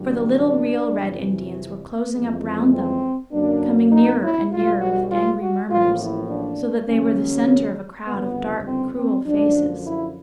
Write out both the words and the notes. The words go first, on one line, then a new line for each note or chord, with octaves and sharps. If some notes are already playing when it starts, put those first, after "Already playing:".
For the little real Red Indians were closing up round them - coming nearer and nearer with angry murmurs - so that they were the centre of a crowd of dark, cruel faces.
Already playing: A1 G2 D3 F#3
D4
F2 C3 E3
F2 C#3 E3 G#3
C4
F#2 D3 F#3 A#3 D4
D#4
E4
B1 B2 G3 F4
F#4
F4
F#4
A1 A2 F3 A#3 F4
E4
D4
D#2 C#3 F#3 C#4
G1 F2 C#3 B3
C4
C4
F#2 D3 F3 D4
E4